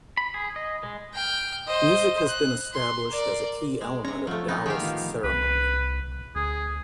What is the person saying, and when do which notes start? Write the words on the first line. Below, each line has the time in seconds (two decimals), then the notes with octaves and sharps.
Music has been established as a key element of Taoist ceremony.
0.17 B5
0.34 G#4
0.56 D#5
0.83 G#3
1.14 G5 F6
1.67 C5 D#5
2.28 F#6
2.73 C6
3.08 A#4 D5
3.81 G#3
4.05 C3 C#4 A#5
4.27 F2 F3 F#3 A3
4.48 B3 D#4
4.66 D3 D#3 G4 G#4 F5
4.81 A2 E3 F3
5.24 C2 B4
6.35 D2 G#4